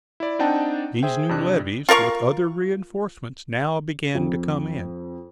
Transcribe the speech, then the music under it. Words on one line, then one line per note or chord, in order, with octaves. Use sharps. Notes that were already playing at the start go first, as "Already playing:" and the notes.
These new levies with other reinforcements now began to come in.
E4 D5
C4 D4 D#4 F#5 G5 A5
G#4 C5 E5 G5
F2 C3 D4 F#6
F4 A#4 F5 C#6
F2